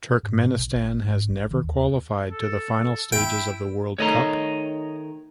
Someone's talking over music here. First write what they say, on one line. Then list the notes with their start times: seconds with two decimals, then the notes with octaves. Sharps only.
Turkmenistan have never qualified to the final stages of the World Cup.
0.23 G#2
0.45 B2
0.59 A#1
0.75 G#1
1.04 G#2
1.29 A1
1.51 D#3
1.64 D#2
2.32 A4
2.71 A4
3.12 E4 G5
3.98 D#3 A3 C#5 D#5 A#5